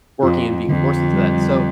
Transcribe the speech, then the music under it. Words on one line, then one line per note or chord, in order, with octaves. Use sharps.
working and being forced into that, so
F2 F4
F2 D3
G3